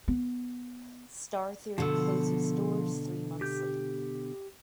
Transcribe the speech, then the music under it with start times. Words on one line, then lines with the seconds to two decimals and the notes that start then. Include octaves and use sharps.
Star Theory closed its doors three months later.
0.08 B3
1.78 B2 D3 F3 E6
3.41 G4 G6